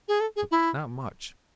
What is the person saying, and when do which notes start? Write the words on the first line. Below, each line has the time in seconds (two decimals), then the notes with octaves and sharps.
But not much.
0.08 G#4
0.20 A4
0.36 G#4
0.51 E4